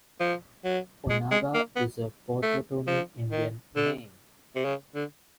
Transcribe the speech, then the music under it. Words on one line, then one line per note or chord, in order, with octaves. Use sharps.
Onaga is a Potawatomi Indian name.
F3
F#3
G#3
G#3
A#3
B3
A3
F3
D#3
D3
C3
C#3
D3